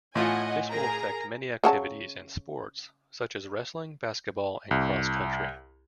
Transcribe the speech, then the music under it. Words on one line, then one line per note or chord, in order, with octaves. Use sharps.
This will affect many activities and sports such as wrestling, basketball, and cross-country.
A2 F4 D#5 F#5 G#5
G#4 A#4 A#5
C#3 F#3 A5
C2